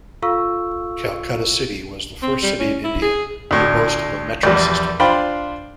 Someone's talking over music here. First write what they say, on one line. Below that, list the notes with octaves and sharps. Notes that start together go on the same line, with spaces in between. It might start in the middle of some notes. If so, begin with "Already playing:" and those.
Calcutta city was the first city in India to boast of a metro-system.
F4 A4 F5 C#6 E6
C4
G3
C#4
E4
G#4
D2 A2
A#1 E2 G3
D4 F4 C5 G5 B5